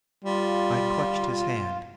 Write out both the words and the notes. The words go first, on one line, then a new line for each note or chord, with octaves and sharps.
I clutched his hand.
G3 F4